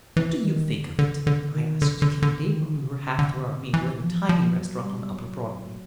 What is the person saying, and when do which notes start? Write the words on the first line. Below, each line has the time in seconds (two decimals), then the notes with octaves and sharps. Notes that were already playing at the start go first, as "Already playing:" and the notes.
"What do you think of it?" I asked Kennedy, when we were half through our meal at a tiny restaurant on upper Broadway.
0.17 E3
0.44 D#3
0.71 D3
0.99 D3
1.27 D3
1.54 D#3
1.82 D3
2.02 D3
2.22 D3
2.44 D#3
2.64 D3
2.83 C3
2.91 C#3
3.19 D3
3.74 E3
4.02 F3
4.29 F3
4.57 F#3
4.84 G3
5.12 F#3